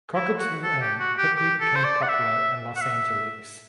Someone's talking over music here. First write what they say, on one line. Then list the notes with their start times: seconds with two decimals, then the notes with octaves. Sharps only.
Cockatoo Inn quickly became popular in Los Angeles.
0.15 E4
0.39 F#4
0.63 A4
0.81 G4
1.00 F#4
1.18 G4
1.36 G4
1.60 A4
1.75 C5
1.84 D5
2.02 F#5
2.09 E5
2.76 F#5
2.81 E5